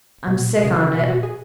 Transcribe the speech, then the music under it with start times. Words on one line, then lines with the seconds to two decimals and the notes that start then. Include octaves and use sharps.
'I'm sick on it.
0.28 B2
0.35 A#2
0.49 B2
0.64 C#3 G#4
0.79 C#3 E4
0.94 B2 F#4
1.08 A#2 F#4
1.23 G#4